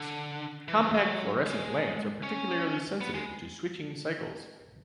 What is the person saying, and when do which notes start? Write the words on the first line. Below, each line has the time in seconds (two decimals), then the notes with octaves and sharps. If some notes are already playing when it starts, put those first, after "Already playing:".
Compact fluorescent lamps are particularly sensitive to switching cycles.
Already playing: D3
0.68 E3
0.81 E3
0.94 F#3
1.46 G#3
2.23 C#4
3.01 B3
3.14 G#3